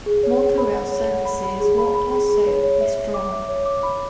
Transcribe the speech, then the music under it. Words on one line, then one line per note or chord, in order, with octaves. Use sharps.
Motorail services were also withdrawn.
G#4
C#5
G#4
B5
F#5
C#5
F#5
B5
B5
G#4
B5
B5
G#4
G#4
C#5
C#5
E5
C#5
D6
E5
C#5
D6
B5